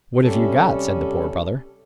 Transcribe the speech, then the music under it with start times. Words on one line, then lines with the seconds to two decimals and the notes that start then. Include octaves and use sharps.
"What have you got?" said the Poor Brother.
0.23 C3 G3 C#4 A4